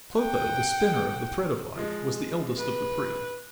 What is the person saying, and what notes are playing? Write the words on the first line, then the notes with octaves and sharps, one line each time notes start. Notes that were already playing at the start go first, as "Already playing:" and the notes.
Clotho, the spinner of the thread of life, was the eldest of the three.
F#5 G5
F3 G#3
B4